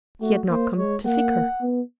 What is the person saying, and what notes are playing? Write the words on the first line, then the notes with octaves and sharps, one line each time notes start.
He had not come to seek her.
A3 F#4
A#3 C5
G#3 C#5
A#3 F#5
B3